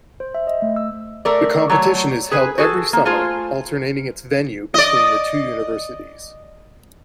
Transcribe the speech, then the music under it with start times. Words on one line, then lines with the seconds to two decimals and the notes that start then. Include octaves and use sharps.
The competition is held every summer, alternating its venue between the two universities.
0.20 C5
0.35 E5
0.47 D#5
0.62 A3
0.76 E6
1.25 A3 A#4 D5
1.70 F#3 A3 C#5
2.31 G#4 B4 G#5
2.58 F#4 G#4 A4
2.93 A#3
3.05 A3 F4 G#4 C5
4.74 D5 D#5